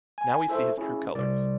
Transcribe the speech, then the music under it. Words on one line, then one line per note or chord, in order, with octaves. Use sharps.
Now we see his true colors.
G#5
E4 A4 C5 E5
C#4 E4 G#4
C2 D5